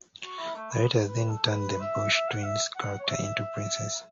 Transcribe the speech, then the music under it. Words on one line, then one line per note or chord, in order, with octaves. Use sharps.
The writers then turned the Bush twins character into Princess.
F#4
E4
A3
B3
B4
A4
B4
E5
E5
F#5
E5
F#5
F#5
C#5
E5
E5